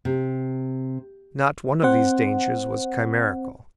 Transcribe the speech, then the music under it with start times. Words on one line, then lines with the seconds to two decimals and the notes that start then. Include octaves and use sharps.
Not one of these dangers was chimerical.
0.05 C3
1.83 C4 C5 F#5